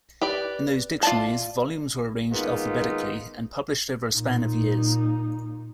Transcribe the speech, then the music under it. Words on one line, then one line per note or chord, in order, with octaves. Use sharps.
In those dictionaries, volumes were arranged alphabetically and published over a span of years.
G4 B4 D5
F4 D5 A5
D#3 G#3 A#3 B3 D#4 F4
A#2 D#4